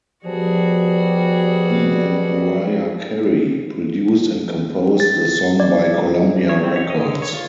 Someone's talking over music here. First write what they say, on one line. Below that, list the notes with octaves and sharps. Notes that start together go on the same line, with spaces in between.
He and Mariah Carey produced and composed the song by Columbia Records.
B2 F3 G3 F#4 G#4
A6
D5
C#5
C4
C#5
D#5
D3
C#5
F4